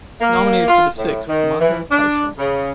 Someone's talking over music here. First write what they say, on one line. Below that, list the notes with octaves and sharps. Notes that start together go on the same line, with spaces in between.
It was nominated for the sixth "Manga Taisho".
A#3
F4
A2
D#3
E3
D4
C#3